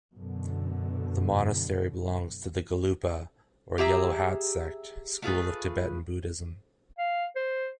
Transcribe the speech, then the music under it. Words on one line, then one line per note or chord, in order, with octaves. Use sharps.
The monastery belongs to the Gelupa, or Yellow Hat Sect, school of Tibetan Buddhism.
F#2 B2 D3
G4 G#4 E5 A#5
A3 F4 G#4 B4
F5
C5